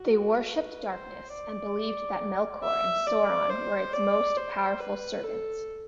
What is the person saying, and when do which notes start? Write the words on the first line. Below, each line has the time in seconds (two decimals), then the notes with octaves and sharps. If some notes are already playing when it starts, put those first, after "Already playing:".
They worshipped Darkness, and believed that Melkor and Sauron were its most powerful servants.
Already playing: F#4
0.47 B4
0.91 C5
1.33 D5
2.64 E5
3.07 D5
3.50 C5
3.93 D5
4.37 C5
4.80 B4
5.24 A4